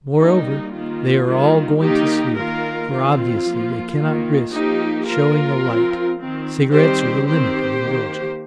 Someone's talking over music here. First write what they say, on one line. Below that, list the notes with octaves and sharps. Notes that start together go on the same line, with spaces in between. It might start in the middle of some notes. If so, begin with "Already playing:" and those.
Moreover, they are all going to sleep, for obviously they cannot risk showing a light; cigarettes are the limit of indulgence.
D#3 G3 A#3 D#4
D#3 A#3 F4
D#3 G3 A#3
D#3 A#3 D#4 G4
D#3 A#3 F4 A#4
D#3 C4 F4
F3 A#3
D#3 A#3
F3 A#3 D#4 G4
F3 A#3 F4 A#4
F3 C4
D#3 C4
D#3 G3 C4 G4 C5
D#3 C4 G4 C5
D#3 A#3